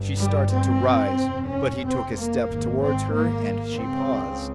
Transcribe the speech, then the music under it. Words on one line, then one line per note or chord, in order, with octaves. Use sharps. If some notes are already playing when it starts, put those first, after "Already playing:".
She started to rise, but he took a step towards her and she paused.
Already playing: G1 G2
G3
C4
F1 F2 C3
C#4
C4
A#3
G#1 G#2
C4
A#3
C#2 C#3 C4